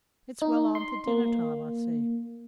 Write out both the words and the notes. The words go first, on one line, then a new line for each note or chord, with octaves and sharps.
It's well on to dinner-time, I see.'
D#4
C6
A#3